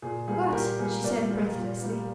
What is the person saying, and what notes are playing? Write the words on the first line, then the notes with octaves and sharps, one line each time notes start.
"What?" she said breathlessly.
A#2 G#4
G3 A#3 G#4
A#2 G4 A#4
G3 A#3 G#4
A#2 A#4 D5
G3 A#3
A#2
G3 A#3